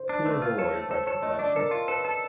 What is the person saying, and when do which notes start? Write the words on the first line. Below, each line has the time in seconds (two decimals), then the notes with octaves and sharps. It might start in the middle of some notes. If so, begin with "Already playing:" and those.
He a is lawyer by profession.
Already playing: C5
0.09 D4
0.25 A3 B4
0.42 F4
0.58 A4 C#5
0.75 A3
0.90 A4 C5
1.06 A4 C#5
1.22 A3 D#5
1.39 D4 D5
1.56 A4 A#4
1.71 F4
1.88 A4 B4
2.05 A4